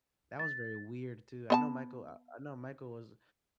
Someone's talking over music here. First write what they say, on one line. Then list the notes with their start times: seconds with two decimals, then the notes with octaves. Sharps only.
that was very weird, too. I know Michael I I know Michael was
0.39 A6
1.50 B3 D#5 A5